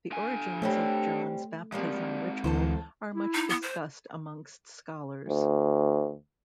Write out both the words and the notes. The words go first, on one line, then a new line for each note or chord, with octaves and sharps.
The origins of John's baptism ritual are much discussed amongst scholars.
D3 G#5
G3 A3 C4 C#4
F3 G3 G#3 A#3 C4
D2 E3 A4 A#4 C5
E4
D#4
B3
C5
D2